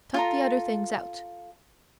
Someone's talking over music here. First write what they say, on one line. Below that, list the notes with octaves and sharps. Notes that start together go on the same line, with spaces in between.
Chuck the other things out.
F4 A4 A#5